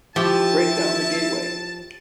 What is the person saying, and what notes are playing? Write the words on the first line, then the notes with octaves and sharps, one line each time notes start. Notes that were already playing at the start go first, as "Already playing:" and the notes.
Break down the gateway!
F3 E4 G4 A5